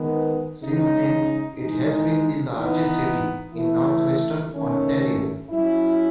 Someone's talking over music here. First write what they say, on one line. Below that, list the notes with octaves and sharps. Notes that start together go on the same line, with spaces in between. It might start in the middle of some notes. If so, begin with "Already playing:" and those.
Since then it has been the largest city in Northwestern Ontario.
Already playing: D#3 G#3 B3
C#3 G#3 D#4
E3 G#3 D#4
E3 B3 D#4
E3 A3 E4
D#3 A3 C#4
F#3 C#4 E4